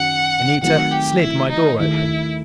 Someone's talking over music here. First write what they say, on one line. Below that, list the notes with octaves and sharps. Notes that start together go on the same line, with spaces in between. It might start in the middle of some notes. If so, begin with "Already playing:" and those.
Anita slid my door open.
Already playing: F#2 D#3 F#4 F#5
D#3 F#3 A3 C4 D#4 F#5
G4
E4
D#4
D#2 D#3 A3 D#4 E4 A4